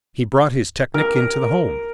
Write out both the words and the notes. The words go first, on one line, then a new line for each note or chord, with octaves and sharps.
He brought his technic into the home.
A#4